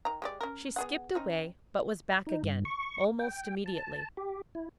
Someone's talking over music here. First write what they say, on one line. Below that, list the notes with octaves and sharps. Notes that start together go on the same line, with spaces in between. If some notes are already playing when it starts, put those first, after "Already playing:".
She skipped away, but was back again almost immediately.
D#3 A#5
G#3 G4 D5
C#4 A#4
B3 G#4 F#5
C4 C#4 D#4
D#4
G2
C#6
G5
A5
G4
E4